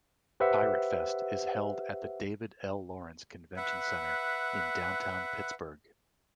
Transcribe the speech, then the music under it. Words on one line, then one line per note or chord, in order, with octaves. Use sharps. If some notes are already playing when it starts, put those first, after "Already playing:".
Piratefest is held at the David L. Lawrence Convention Center in downtown Pittsburgh.
G4 B4 C5 E5 F#5
B4 E5 F#5